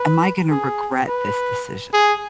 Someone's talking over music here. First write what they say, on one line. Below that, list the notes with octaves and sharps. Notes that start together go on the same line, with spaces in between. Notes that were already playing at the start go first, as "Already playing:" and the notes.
"Am I gonna regret this decision?"
Already playing: B4
G#4
B4
G#4